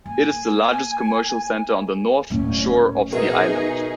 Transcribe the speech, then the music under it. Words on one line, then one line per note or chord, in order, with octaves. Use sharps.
It is the largest commercial center on the North Shore of the island.
A#3 G#5
D1 A2 C#4
B2 D#4 G#4 A#4 E5